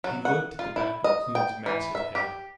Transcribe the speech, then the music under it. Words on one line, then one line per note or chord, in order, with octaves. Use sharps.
He looked at the back of Kloon's massive head.
F#3
F#5
F4
E4
D#5
G5
E3
E5
G4